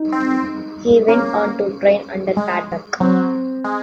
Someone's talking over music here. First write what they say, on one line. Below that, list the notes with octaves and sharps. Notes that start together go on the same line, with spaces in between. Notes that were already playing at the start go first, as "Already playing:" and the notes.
He went on to train under Pat Buck.
Already playing: D#4
C4
A#3 C#4
G#3
F#3 C4
G#3